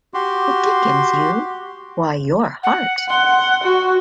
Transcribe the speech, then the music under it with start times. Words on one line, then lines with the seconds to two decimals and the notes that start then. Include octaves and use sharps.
The dickens you — Why, you're Hart!
0.14 F#4 G4 C6
2.63 F#5
3.09 F#5 C6
3.64 F#4